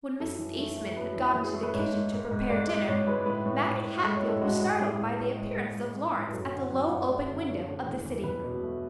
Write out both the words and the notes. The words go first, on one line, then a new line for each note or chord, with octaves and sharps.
When Mrs. Eastman had gone to the kitchen to prepare dinner, Maggie Hatfield was startled by the appearance of Lawrence at the low open window of the sitting-room.
F#2 A4
E3
A3
A3
F#2 B4
E3
E3
G#4
A3 A4
B4
G#2 C#5
G#3
G#2
G#2
G#2 D5
G#3
G#2 C#5
G#3 B4
A2 B4
A2
A2
A2
G#3 A4
C#5
A2
A4
G#3 F#4
G#3
A2 G#4
A2
A2
G#3
G#3
G#3
G#3
A2
B4
F#2 A4
C#5
D3
F#5
F#2 F#5
F#2 F#5
A3 D5
D3
D3 C#5
D3
E2 A4
E2
E2 B4
B2
A3